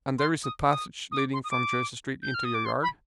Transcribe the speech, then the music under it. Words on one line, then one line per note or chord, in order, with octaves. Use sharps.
"And there is a passage leading from Jersey Street into your yard?"
C6
D#6
D#6
D#6
D6
C6
D#6
D6
G6
F6
D#6
D6
C6
B5